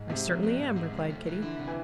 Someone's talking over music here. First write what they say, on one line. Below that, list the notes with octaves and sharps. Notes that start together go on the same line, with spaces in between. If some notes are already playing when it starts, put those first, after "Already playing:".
"I certainly am," replied Kitty.
Already playing: G#2
C3 G#3
F3
B3
G#2
G#3
C3
A3
E3
D3 E4
C3
E3